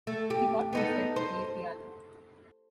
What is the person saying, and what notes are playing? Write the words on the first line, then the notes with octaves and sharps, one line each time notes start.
He taught himself to play piano.
A3
G4
B3 D#4 A4
C5